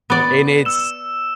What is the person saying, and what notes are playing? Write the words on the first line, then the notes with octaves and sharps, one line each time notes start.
and it's,
B3 D5
E6 E7